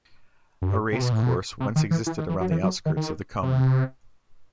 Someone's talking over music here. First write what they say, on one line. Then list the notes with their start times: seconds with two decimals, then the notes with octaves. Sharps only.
A racecourse once existed around the outskirts of the Common.
0.62 F#2
0.69 G2
0.92 C3
1.02 B2
1.12 A2
1.23 B2
1.60 C3
1.76 D#3
1.91 E3
2.06 E3
2.18 D#3
2.29 E3
2.41 F#3
2.51 E3
2.63 F#3
2.86 D#3
2.96 D#3
3.43 C3